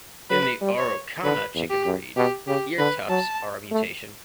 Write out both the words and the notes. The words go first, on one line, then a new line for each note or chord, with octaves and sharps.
In the Araucana chicken breed, ear tufts are a mutation.
F#3 B4
G3
C#5
D3 B4
E2
G4
F#2
B2 G4
C#3 G4
D3 B4
F#3 A5
A3